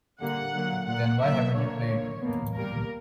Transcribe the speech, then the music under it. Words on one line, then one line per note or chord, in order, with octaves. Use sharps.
Then why haven't you played?
D3 G3 A#3 F#5
D3 F#3 A#3
A#2 A#3 F#5
D3 F#3 A#3 E5
D3 A#3 C#5
A#2 A#3
B2 A#3
A#2 G3 A#3 A#4